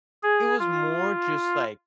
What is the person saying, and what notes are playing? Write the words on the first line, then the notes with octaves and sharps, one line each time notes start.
it was more just, like,
G#4
F4